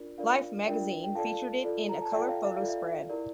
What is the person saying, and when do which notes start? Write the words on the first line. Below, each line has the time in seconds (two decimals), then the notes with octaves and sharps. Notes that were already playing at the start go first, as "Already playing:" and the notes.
"Life" magazine featured it in a color photo spread.
Already playing: D4 F4 A#4 D5
0.18 D4 F4 A#4 D5 F5
0.66 D4 F4 A#4 D5 E5 G5
1.04 G5
1.15 F4 A4 D5 F5 A5
1.64 F4 A4 D5
1.89 A#5
2.01 A5
2.12 F4 A4 D5 E5 G5
2.29 F5
2.45 E5
2.56 F4 A4 D5 F5
2.68 E5
3.09 E4 G4 A#4 D5